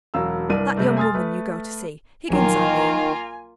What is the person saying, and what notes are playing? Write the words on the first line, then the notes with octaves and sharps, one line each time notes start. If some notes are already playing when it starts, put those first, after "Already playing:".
'That young woman you go to see--Higgins, I mean.'
E1 F#3 C#4 F5 A#5 E6
C2 G2 A#4 D5 F6 D#7
C3 G3 A3
G#5 C6 D#6 F6 A6
A3 B4
A#1 D#3 F#3 A#3 F4 G#5